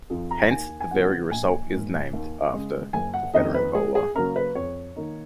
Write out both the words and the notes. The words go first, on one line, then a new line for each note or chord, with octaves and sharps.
Hence, the very result is named after the veteran bowler.
F2 F3
A#5
D#2 G#5
G#5
C#3 F3 B3 D#4 F#5
A#1 G#5
G#2 F#3 A#3
D#2
C#3 G#3
F#1 G#5
F#5
F2 D#3 A#3 C#4 D#5
B4
C#2 G#4
G#4
C#3 F#3 A#3 C#4 A#4
B4
F2 C#5
D#3 A#3 D#4